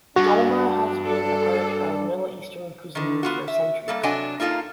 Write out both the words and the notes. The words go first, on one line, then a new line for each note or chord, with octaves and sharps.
Dolma has been a part of Middle Eastern cuisine for centuries.
G2 D4 F#4
A4
D3 D#3
B3 F4 F#4
E5
G3 A#3 A4
C3 F#3 D4 D#5 F#5 G#5
A#3 D#4 F4 A4 F5